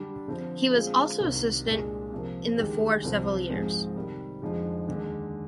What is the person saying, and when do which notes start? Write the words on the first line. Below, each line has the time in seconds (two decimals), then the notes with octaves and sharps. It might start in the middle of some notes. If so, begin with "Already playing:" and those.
He was also assistant in the for several years.
Already playing: D3 G3 D4 G4
0.28 D3 F3 C4
0.73 D3 G#3 C4 F4 G#4
1.20 C2 C3 D#3
1.66 C2 A#2 G#3 D4
2.12 C3 F3 A#3
2.58 D#2 D3 G#3 D#4 G4
3.03 C2 C3 F3 C4
3.49 G#2 F3 G#3 C4
3.95 C3 D#3 G3
4.42 F2 D3 F3 G#3 D#4
4.88 D#2 D3 G#3